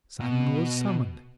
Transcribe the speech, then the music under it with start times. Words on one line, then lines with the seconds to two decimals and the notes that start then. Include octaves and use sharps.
Simon was summoned.
0.20 B2